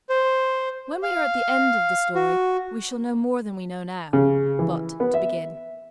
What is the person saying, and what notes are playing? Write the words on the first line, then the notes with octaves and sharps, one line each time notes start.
When we are at the end of the story, we shall know more than we know now: but to begin.
C5
F5
F#4
C#3
E3
B3
E5